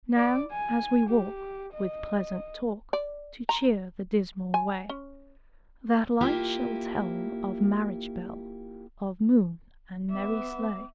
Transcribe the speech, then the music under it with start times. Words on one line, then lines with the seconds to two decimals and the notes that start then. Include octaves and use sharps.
Now, as we walk, with pleasant talk To cheer the dismal way, That light shall tell of marriage-bell, Of moon and merry sleigh.
0.16 D5
0.51 G#5
1.09 G4
1.74 D#5
2.93 D5
3.49 A#5
4.54 G#5
4.89 C#4
6.21 A#3 E4 F4 G4
10.11 B3 E5 D6